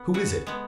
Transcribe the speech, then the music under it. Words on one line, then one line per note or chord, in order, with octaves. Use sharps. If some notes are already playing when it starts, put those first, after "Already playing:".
"Who is it?"
Already playing: B3
C#3 F#4
G#3 B3